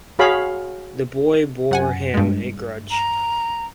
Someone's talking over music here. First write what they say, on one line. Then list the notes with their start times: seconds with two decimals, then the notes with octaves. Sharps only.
The boy bore him a grudge.
0.19 F#4 G#4 C#5 F5 B5
1.71 F#2 F#5 G#5
2.14 G2 G#3
2.91 A#5